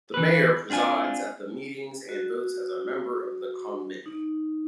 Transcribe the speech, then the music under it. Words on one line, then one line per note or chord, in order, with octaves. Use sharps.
The Mayor presides at the meetings and votes as a member of the Committee.
E3 B4
C4 D4 F4 G#5
F#4
D#4